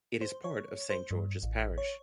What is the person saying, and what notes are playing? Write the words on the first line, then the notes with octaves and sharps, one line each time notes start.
It is part of Saint George's Parish.
C5
C#5
C5
G2
A1
C#5